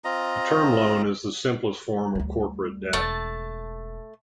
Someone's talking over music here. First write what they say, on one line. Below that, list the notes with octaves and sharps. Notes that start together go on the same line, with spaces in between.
A term loan is the simplest form of corporate debt.
C4 F4 D#5 A#5
D2 G3
E1 A3 A5